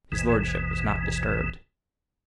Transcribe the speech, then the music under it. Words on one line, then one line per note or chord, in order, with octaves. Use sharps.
His lordship was not disturbed.
G#1 D#2 B2 E3